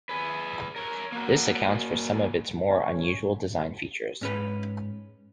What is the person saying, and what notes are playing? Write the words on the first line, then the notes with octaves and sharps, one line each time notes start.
This accounts for some of its more unusual design features.
G#4 B4
A#4 C#5
A#3 F#4
C#4
G#2 C#4 B4